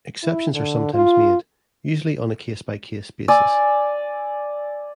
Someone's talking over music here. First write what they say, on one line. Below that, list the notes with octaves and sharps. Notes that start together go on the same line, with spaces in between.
Exceptions are sometimes made, usually on a case-by-case basis.
E4
D3
F4
D5 G#5 E6